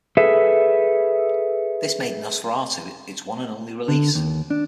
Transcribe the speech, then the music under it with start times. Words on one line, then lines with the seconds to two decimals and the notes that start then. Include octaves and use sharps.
This made "Nosferatu" its one and only release.
0.17 G#4 A4 B4 E5
3.88 D3
4.15 D#2
4.50 D4